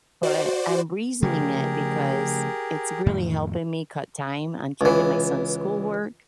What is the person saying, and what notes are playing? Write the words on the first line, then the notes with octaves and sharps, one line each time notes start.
but I'm reasoning it because it's really helping me cut time on checking my son's schoolwork.
F#4 C5 D5
C#3 F3 A3 G4 G#4 A#4
F2 A2 D#3
C#2 E3